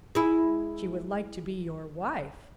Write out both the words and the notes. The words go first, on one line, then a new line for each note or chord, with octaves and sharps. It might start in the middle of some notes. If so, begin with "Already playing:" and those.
"She would like to be your wife!"
G#3 E4